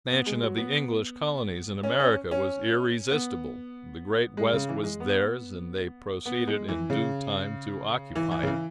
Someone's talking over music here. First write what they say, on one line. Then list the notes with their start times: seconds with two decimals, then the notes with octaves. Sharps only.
The expansion of the English colonies in America was irresistible; the Great West was theirs, and they proceeded in due time to occupy it.
0.10 B3
0.26 G#3
0.43 F#3
0.57 B3
1.83 C#4
2.00 C#4
2.31 C#4
3.11 B3
4.37 G#3
4.53 C#3
4.69 E3
4.83 G#3
5.00 B3
6.26 B3
6.47 G#3
6.68 E3
6.90 C#3
8.15 E3
8.31 E3
8.43 C#3
8.47 E3